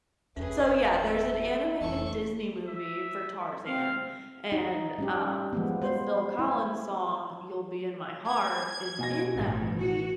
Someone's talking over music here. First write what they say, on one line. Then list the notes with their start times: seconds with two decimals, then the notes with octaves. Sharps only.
So, yeah, there's an animated Disney movie for Tarzan and, um, the Phil Collins song, "You'll Be In My Heart," is in that movie;
0.36 F#1 E2 A3 C#4 G#4 B4
0.90 D#3 E5 G5
1.21 E4
1.81 F1 E3 C4 A4 C#6
2.67 E5
3.66 C4 F5
4.52 D#4
4.98 G3 C#4 G4
5.53 F3 G#3 B3
5.82 C5
6.39 E4
8.26 G#5 G#6
8.99 B2 G#5 A#6
9.33 A1 G2
9.79 F#4